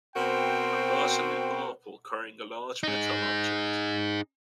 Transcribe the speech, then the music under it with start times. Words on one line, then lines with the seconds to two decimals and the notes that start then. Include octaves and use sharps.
A person in purple carrying a large metal object.
0.16 B2 C4 F#4 A#4 C5 G5
2.83 D#4 G#4